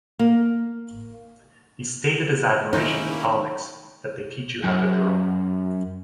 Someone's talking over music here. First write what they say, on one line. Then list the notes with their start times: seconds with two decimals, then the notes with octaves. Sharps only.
He's stated his admiration for comics, that they teach you how to draw.
0.19 A#3
2.73 D#3 A#3 C#4 D#4 E4 C5
4.64 F#2